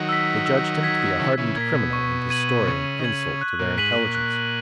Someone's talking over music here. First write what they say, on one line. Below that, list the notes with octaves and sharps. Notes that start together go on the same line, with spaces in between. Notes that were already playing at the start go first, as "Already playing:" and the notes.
They judged him to be a hardened criminal, and his story an insult to their intelligence.
Already playing: D#3 F#3
E6 B6
E6
G#6 B6
C#3 E3 E6
C#3 E3
A#2 G#6 B6
B2
C#6
G#6 D#7 F#7
C#3 C#6
D#3
C#3 G#6 D#7 F#7
F#6
A#2
G#2 B6 D#7 F#7
A#2
F#6